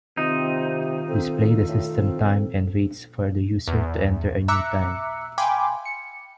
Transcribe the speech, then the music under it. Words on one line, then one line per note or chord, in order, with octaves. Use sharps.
Display the system time and waits for the user to enter a new time.
C3 D#3 C4 D#4 F4
C4 A4
A2
C4
E2
E5 A#5 D6 E6 F#6 C#7
F5 G5 G#5 B5 C6 D6
C#7